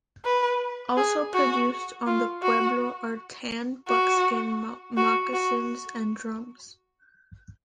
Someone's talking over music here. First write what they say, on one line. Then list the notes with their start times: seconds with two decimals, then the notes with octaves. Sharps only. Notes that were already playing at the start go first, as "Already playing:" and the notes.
Also produced on the pueblo are tanned buckskin moccasins and drums.
0.25 B4
0.97 G#4
1.34 F#4
2.07 F4
2.42 F#4
3.88 F#4
4.97 F#4
5.33 F#4